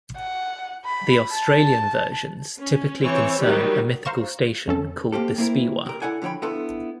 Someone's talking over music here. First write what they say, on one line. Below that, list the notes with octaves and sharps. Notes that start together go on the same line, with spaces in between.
The Australian versions typically concern a mythical station called The Speewah.
F#5
B5
A5
C#4
E3 C4 C#5
D#3 F#3 G3 G4
C5 F5 A#5 C#6 E7
F2 C#4 A4
A#3 C4 G4 A4
A#3 C4 E4 A#4
C3 A#4
E4 A4 D5 F#5 G#5
D3 F3 C#5 G5 B5
B3 D4 E4 F4 A4 B4